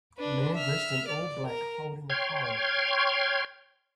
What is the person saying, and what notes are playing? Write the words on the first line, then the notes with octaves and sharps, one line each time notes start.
A man dressed in all black holding a pole.
D4 B4
E5 F6
D5
A#4
C#5 G5 C6 F6 G#6